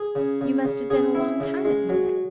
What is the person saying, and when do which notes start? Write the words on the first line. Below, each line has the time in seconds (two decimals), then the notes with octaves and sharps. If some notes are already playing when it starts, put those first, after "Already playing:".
You must have been a long time at Munich.'
Already playing: G#4
0.15 C#3
0.41 C#3
0.65 C#3
0.90 C#3 G#4
1.15 E4
1.40 C#3
1.65 G#3
1.89 F#3